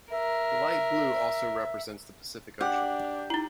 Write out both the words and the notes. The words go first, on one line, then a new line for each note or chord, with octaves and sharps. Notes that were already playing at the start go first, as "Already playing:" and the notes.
The light blue also represents the Pacific Ocean.
A#4 E5
D4 G4 F#5
D#4 E4